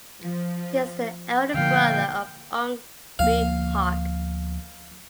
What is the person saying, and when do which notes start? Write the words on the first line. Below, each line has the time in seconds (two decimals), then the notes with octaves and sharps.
He is the elder brother of Ong Ewe Hock.
0.21 F3
1.54 A#2 D3 F3 F5 G5
3.19 D2 F3 A#3 F5